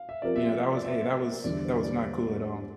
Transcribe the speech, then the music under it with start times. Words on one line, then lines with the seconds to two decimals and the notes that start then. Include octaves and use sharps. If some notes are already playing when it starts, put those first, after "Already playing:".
you know, that was a that was that was not cool at all.
Already playing: F5
0.09 E5
0.22 F3 C4 G4 A#4 D5
0.36 E5
0.76 D5
0.84 E5
1.44 E2 D3 G3 D5
1.65 C5
1.84 D5